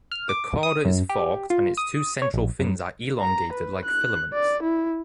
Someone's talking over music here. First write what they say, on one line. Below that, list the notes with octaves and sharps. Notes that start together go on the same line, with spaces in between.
The cauda is forked and its two central fins are elongated like filaments.
F6
D6
D#6
F#2
G4
F4
D#6
C#5
A#1
F#2
A#5
B4
F#6
D5
E4